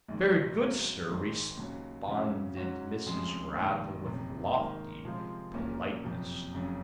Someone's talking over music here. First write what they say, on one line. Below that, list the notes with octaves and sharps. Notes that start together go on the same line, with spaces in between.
'Very good, Sir,' responded Mrs. Raddle, with lofty politeness.
A#1 G#2 D#3
C#2 C#3 F#3 C4
G#1 G#2 D#3 G#3 C4
D#2 C#3 F#3
F2 C#3 F#3 C#4
G#2 F#3 C#4 F#4
F1 F2 C#3 F3 G#3
A#1 G#2 D#3
F#1 F2 C3
G#2 D#3 A#3
C3 F3 G#3 C4 F4
A#1 A#2 F#3 A#3 C#4
F#1 F2 C3 F3
F#1 F2 C#3 F#3